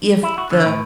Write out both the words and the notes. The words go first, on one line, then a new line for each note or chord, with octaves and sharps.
If the
E4
F#4
D3
A2